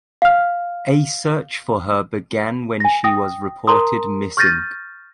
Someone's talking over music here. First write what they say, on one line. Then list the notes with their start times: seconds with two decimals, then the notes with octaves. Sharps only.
A search for her began when she was reported missing.
0.22 F5 F6
2.80 G#5 A#6
3.04 G5 D#6 A#6
3.67 A#4 A5 A#5 C6 D#6
4.37 C#6 F6 G6 A6 A#6 D#7